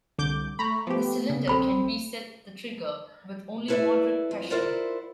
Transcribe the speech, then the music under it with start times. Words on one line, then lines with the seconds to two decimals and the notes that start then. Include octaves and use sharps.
The cylinder can reset the trigger with only moderate pressure.
0.18 C2 D3 D6 G6
0.59 A3 A#5 B5 C#6
0.87 F3 B3 G4
1.29 C#3 A#3 B3
1.48 A#1 C4 A4 B5 E6
3.68 E4 A4 B4 C5 D5 E5
4.31 F2
4.50 E4 F4 A#4 C5 D5 F#5